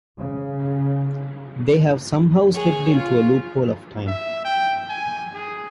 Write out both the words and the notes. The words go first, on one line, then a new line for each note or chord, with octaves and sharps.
They have somehow slipped into a loophole of time.
C#3
G#4 C#5
F4
E5
G5
G#5
G#4